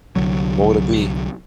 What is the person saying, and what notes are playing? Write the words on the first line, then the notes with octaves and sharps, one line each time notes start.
What would it be?
C2 D3 F#3